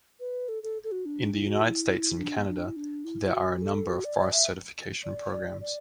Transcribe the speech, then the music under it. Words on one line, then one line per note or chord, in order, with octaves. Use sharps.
In the United States and Canada, there are a number of forest certification programs.
B4
A4
A4
A4
F#4
D4
E4
F#4
E4
D4
B3
D4
E4
D4
E4
E4
F#4
A4
F#4
D5
D5
E5
D5
D5
D5